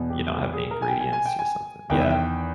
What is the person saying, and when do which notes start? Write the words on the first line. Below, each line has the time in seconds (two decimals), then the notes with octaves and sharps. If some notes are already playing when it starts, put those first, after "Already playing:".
You don't have the ingredients or something. Yeah.
Already playing: E2 B2
0.10 G4
0.36 G4
0.53 G#4
0.71 A#4
0.82 G#5
0.88 G5
1.00 G#5
1.13 G#5
1.26 G5
1.39 G#5
1.90 E2 D#3 G5
2.01 E5
2.10 G5